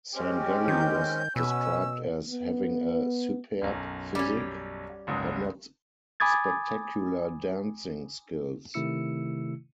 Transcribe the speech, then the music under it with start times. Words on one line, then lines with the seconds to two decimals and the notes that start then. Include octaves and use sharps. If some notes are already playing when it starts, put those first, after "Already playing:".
Sangalli was described as having a "superb physique", but not spectacular dancing skills.
0.15 G#3 C4 C#4 G4
0.68 D#3 G6
1.36 B2 C#4 B4 E6
2.30 B3
3.62 B1 F#2
4.15 G3 C#4
5.07 F#1 C#2 G#2
6.20 G#5 B5 D6 D#6 G#6 A6
8.74 C3 D#3 A3 E4 E6 C#7